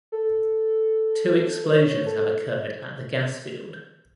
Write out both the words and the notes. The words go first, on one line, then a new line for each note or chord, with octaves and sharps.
Two explosions have occurred at the gas field.
A4
B4
C#5
C#5
A4